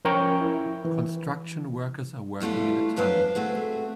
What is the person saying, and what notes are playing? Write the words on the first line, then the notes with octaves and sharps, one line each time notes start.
Construction workers are working in a tunnel.
F3 C#4 A#4 C#5 G5 C#6
E4
E3
E3 G3 A3 D4 F4
F#2 D4 B4 C5 F5
A3 C4 F#4 G#4